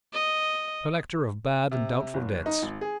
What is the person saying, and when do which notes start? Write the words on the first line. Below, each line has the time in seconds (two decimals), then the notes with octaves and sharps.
Collector of bad and doubtful debts.
0.12 D#5
1.71 C3
2.14 F#1
2.46 D#4
2.63 G#1
2.81 G#4